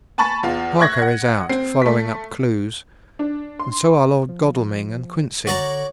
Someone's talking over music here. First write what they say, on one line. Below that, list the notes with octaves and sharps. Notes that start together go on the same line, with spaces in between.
Harker is out, following up clues; and so are Lord Godalming and Quincey.
G#5 A5 B5 C#6 A6
E2 F4
E5 C#6 F#6 G#6 A#6
F#5
C4 C7
A3 B6
D4
C6
F3
D3 F#4 C#5 D5 A#5